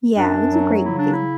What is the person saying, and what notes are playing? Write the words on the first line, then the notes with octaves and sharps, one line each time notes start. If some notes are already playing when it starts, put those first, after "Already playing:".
Yeah, it was a great movie.
F#2 D4
F#3
C#3 E4
D4
E4